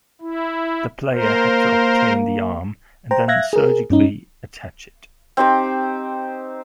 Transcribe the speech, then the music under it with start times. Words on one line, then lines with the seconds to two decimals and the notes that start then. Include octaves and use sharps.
The player had to obtain the arm and then surgically attach it.
0.21 E4
1.12 A#3 A#4 C5
3.11 C5 G5 A#5
3.28 E5 F5 F#6 G#6 A#6
3.53 G#4 A#4
3.90 G2 C#4 D#4
5.37 C4 D#4 G4 C5